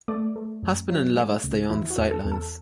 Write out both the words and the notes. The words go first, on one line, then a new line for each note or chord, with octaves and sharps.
Husband and lover stay on the sidelines.
A3 D5
A3
F#2
F#3
A3
C#2
E2 E4
F#4
E2
A4
E2
A4